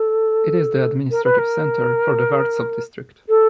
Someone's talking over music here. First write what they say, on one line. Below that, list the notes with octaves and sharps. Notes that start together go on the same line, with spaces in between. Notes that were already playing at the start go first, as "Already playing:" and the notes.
It is the administrative center for the Varzob district.
Already playing: A4
A#4
B4
A#4
A4